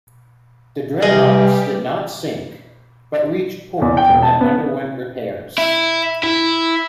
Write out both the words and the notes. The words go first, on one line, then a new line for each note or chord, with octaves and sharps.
The dreadnoughts did not sink, but reached port and underwent repairs.
C3 G3 G4 G#4 B4 D#5 F5
E2
G5
E1
A5
B3
E4
E4